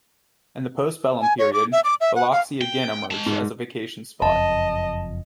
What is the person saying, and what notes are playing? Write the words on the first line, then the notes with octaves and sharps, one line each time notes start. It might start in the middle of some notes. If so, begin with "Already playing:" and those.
In the postbellum period, Biloxi again emerged as a vacation spot.
G#5
C#5
D6
E5
D6
E5
F#5
F5
G5
G#3 A5
G#2
F#1 F2 D#5 A5